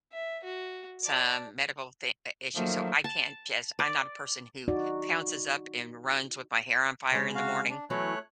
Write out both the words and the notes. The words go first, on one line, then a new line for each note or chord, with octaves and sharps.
some medical thing uh, issues, so I can't just I'm not a person who pounces up and runs with my hair on fire in the morning.
E5
F#4
D5 A5
D#3 F3 F#3 A3 A#3
A5
D5
D#4 F#4 D5
C#3 G#3 C#5
F#4 F5
D4
E3 F#3 A3 B3 C#5 F#6